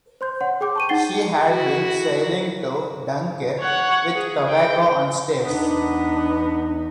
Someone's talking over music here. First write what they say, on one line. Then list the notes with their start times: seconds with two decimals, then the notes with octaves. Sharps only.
She had been sailing to Dunkirk with tobacco and staves.
0.21 C5 C6 G6
0.41 C#5 F#5 C6
0.61 G#4 G5 D6 G6
0.76 A5 C#6 D#7
0.89 D#4 F#5 G5 A6 C7 G7
1.45 E4 F#4
3.60 C#5 F#5
4.14 G#4
4.49 G5
5.44 E2 B3 D4 D#4